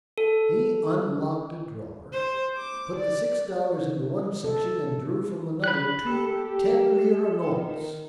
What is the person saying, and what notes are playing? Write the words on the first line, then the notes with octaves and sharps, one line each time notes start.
He unlocked a drawer, put the six dollars into one section and drew from another two ten-lira notes.
A4
C5
D6
D5
A4
B5 F#6
G4 A4
D#3